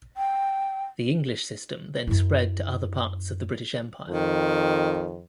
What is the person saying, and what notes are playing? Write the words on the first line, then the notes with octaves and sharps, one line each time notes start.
The English system then spread to other parts of the British Empire.
G5
F#2 E4
F2 D#3